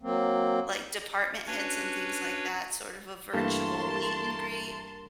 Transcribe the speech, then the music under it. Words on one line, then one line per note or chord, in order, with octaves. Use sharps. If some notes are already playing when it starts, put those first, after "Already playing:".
like, department heads and things like that, sort of a virtual meet and greet.
F#3 A#3 C4
C#4 D4 F#4 B4 C#5
G2 E3 A3 A#3 A#4 A5 C6